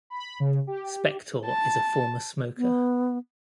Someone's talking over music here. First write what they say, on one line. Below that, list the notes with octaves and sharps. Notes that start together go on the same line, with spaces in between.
Spektor is a former smoker.
B5
C#3
G4
A5
B3